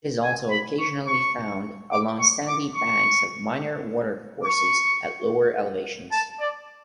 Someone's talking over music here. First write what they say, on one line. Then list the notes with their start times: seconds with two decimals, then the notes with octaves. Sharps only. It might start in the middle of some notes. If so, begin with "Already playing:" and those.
It is also occasionally found along sandy banks of minor watercourses at lower elevations.
0.23 G#5
0.51 B5
0.79 C#6
1.07 C#6
1.91 D6
2.19 C#6
2.48 D6
2.75 C#6
4.43 C#6
6.12 A5
6.39 D5